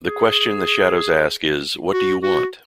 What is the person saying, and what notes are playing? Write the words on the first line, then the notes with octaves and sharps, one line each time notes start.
The question the Shadows ask is What do you want?
G#4
F#4
F#4